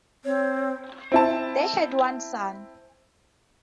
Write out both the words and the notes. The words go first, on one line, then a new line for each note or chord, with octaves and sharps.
They had one son.
C4 C#5
C4 E4 A5